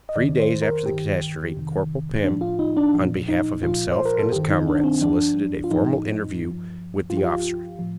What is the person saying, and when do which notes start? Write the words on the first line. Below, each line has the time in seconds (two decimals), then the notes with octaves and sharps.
Three days after the catastrophe, Corporal Pim, on behalf of himself and his comrades, solicited a formal interview with the officers.
0.09 D#5
0.16 F2 D#3 D5
0.40 C5
0.62 A#4
0.86 G2 D#3 G4
1.55 F2 C3 D#3
2.24 F3 D4
2.28 A2
2.41 F4
2.59 D#4
2.77 D4
2.94 A#2 F3
3.29 D#4
3.62 A#2 F3 F4
3.92 C5
4.05 A#4
4.19 A4
4.32 G2 G4
4.36 D#3
4.50 D#4
4.68 D4
4.84 C4
5.01 G2 F3 D4
5.64 F4
5.71 A2 F3 D#4
6.40 G2
6.45 F3
7.09 G2 F4
7.13 F3 G4
7.24 F4
7.79 A2 F3